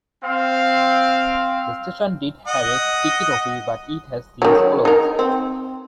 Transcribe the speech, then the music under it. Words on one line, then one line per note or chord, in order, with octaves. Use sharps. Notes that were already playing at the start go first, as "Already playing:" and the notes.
The station did have a ticket office but it has since closed.
C4 F5
D#5 F#5 D#6
D#3 F#3
D#4 A#4
C4